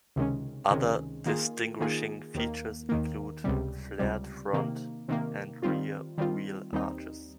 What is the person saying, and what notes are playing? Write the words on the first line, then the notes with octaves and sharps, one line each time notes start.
Other distinguishing features include flared front and rear wheel arches.
C#2 C3 D#3 G#3 C#4
C#2 C3 D#3 G#3 C#4
D#3 A#3 F4 G#4
D#3 A#3 F4 G#4
D#2 D#3 A#3
D#2 D#3 A#3
C#2 C3 G3
C#2 C3 G3
C3 D#3 A#3
C3 D#3 A#3
D#3 G3 C4 F4
D#3 G3 C4 F4
D#2 D#3 G3 C4 D#4